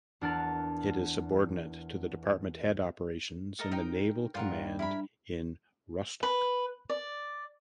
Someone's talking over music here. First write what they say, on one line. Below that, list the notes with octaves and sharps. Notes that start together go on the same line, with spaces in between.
It is subordinate to the department head operations in the naval command in Rostock.
E2 D4 A#4 F#5 F6 A6
A4 A#4 D#5
D#4 A#4 G5
G2 F4 A#4 F#5
E4 A#4 B5
B4
D5